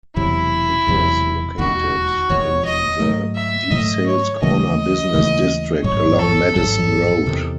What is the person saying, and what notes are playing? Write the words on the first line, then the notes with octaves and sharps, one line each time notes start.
It is located in the DeSales Corner business district, along Madison Road.
E1 E2 C3 F#3 E4
E1 E2 C3 F#3
E1 D#2 D#3 F#4
E1 D#2 D#3 C#5
D#5
G#2 D#3 F#3 A3
E5
G#2 D#3 F#3 A3 D#5
C#5
D#2 C#3 E3 A3 D#5
D#2 C#3 E3 A3
A1 G#2 F#3 C#5
A4
A1 G#2 F#3 A4
E2 C3 D#3